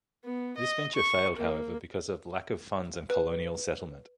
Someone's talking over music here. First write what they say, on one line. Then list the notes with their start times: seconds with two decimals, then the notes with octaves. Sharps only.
This venture failed, however, because of lack of funds and colonial settlement.
0.25 B3
0.58 D#5
0.95 C#6
1.37 A#3
3.10 B4